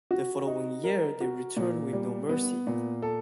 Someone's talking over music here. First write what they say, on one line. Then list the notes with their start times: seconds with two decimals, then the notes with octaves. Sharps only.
The following year they returned with No Mercy.
0.11 F#4
0.47 D#4
0.84 A#4
1.21 F#4
1.57 A#2
1.93 G3
2.29 B3
2.67 A#2
3.02 A4